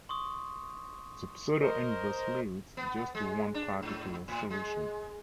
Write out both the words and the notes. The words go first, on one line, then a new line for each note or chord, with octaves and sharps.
The pseudo-inverse leads just to one particular solution.
C6 C#6 D#6
A#4 C5 D#5
B3
G#3
D4
G#2
A2
G#3